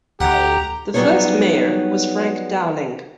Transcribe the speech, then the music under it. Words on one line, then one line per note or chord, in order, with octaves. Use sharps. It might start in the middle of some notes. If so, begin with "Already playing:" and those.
The first Mayor was Frank Dowling.
D2 G4 F#5 A#5
F#3 G3 B3 D#4 G#4 C#5